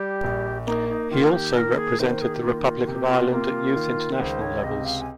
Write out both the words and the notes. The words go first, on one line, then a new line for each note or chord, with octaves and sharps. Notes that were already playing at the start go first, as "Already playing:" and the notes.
He also represented the Republic of Ireland at youth international levels.
Already playing: G3 G4
A#1
A#3 D#4
D#4
D#3 F4
G4
A#3 A#4
G#4
D#3 C5
G#4
G4
A#3 F4
D#4
F4
C3 G4
F4
A#3 F4
D#3
C#2 C5
C#5
C3 D#5
F5
G#5